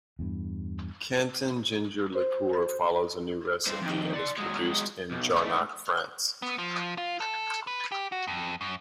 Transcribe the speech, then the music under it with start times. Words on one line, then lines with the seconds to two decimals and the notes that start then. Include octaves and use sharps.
Canton Ginger Liqueur follows a new recipe and is produced in Jarnac, France.
0.19 E2 G2
2.15 C5
3.67 G2 C5
3.82 F2 D#3
4.14 D5 C6
4.38 F#3 G#3
5.11 B1
5.34 G#2 A3
6.42 B3
6.58 F3
6.98 F4
7.20 A4
7.67 B4
7.92 G4
8.12 F#4
8.27 F2
8.61 F#2